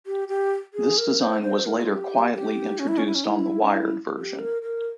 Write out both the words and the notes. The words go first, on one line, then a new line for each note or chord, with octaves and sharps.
This design was later quietly introduced on the wired version.
G4
G4
G#4
A#4
C5
C5
A#4
F4
G4
G4
C#4
E4
C#4
E4
C#4
E4
C#4
E4
G4
A#4
A#4